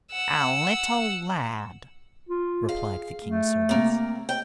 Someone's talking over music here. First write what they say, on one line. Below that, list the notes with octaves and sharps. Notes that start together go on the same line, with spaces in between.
"A little lad," replied the king's servants.
F#5 E6
F4
G#4 F5
A3
C3 A#3
G5